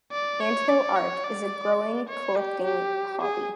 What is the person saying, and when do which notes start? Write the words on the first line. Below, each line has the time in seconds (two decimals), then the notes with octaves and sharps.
Ant hill art is a growing collecting hobby.
0.12 D5
0.40 C#5
0.69 D5
0.96 C#5
1.24 D5
2.09 C#5
2.37 G4
2.65 G4
3.21 G#4